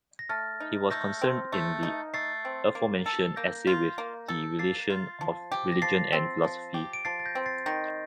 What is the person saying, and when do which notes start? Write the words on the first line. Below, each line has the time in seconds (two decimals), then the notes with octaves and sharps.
He was concerned in the aforementioned essay with the relation of religion and philosophy.
0.19 A#6
0.29 A3 F6 A6
0.60 D#4
0.91 A3 G6 A#6
1.22 C4
1.52 A3
1.83 D#4
2.14 A3 A6 C7
2.45 C4
2.75 A#3
3.06 A4
3.36 A#3 G6 A#6
3.67 F4
3.98 A#3
4.28 A4
4.59 A#3 A6 C7
4.90 F4
5.21 F3
5.52 G4
5.72 A#6
5.82 F3 A6 C7
6.13 C4
6.44 F3
6.74 G4
6.93 D7
7.05 F3 A6 C7
7.20 A6
7.25 G6 A#6
7.35 C4
7.46 A6 C7
7.66 D#3 G6 A#6